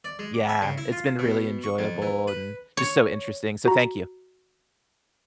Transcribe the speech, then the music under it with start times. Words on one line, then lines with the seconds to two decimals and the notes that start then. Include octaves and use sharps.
yeah. It's been really enjoyable and just so interesting, so, thank you.
0.04 D5
0.19 G#3
0.34 D6
0.49 E5
0.62 C#3
0.78 E4
0.92 F4
1.19 B2
1.64 C#6
1.78 F2
2.02 E3
2.28 B4
2.77 C#5
3.66 F#4 A#5